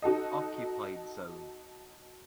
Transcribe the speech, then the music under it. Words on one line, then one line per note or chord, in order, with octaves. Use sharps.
Occupied Zone.
D#4 F#4 A4 D#5